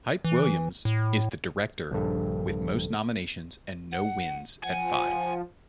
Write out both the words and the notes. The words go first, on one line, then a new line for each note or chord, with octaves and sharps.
Hype Williams is the director with most nominations and no wins at five.
E3
A2
A#1 G2 C#3 F3 A4
F#5
F3 F#5 G#5